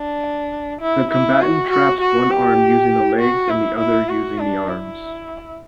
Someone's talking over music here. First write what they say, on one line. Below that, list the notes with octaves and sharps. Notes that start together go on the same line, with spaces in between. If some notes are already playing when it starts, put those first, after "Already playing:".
The combatant traps one arm using the legs, and the other using the arms.
Already playing: D4
E4
E4
F#4
F#4
F#4
G4
F#4
E4
E4
F#4
D4
E4